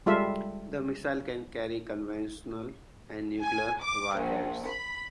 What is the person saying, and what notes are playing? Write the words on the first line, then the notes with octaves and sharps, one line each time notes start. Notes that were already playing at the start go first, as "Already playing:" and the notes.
The missile can carry conventional and nuclear warheads.
G3 G#3 F4 A4 E5
G#5
D6
A#1
B5